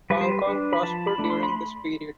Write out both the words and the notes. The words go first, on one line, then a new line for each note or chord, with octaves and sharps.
Hong Kong prospered during this period.
G3 B4
C5
B4
D4
B5
F3 A5
B5
A3 D4
B5
C6
B5